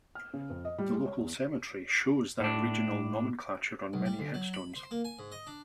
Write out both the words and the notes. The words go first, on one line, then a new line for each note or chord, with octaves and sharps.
The local cemetery shows that regional nomenclature on many headstones.
F6
C#3
F2
D#5
G3
G#3
C#5
E2
A2 D4
B1
G3
D2
F#3
B5
C5
A#3
G#5
G#2
D#5
D4